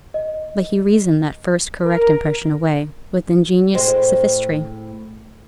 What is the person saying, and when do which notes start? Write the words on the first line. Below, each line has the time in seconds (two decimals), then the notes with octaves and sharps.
But he reasoned that first correct impression away with ingenious sophistry.
0.14 D#5
1.86 A#4
3.75 A2 G#3 C4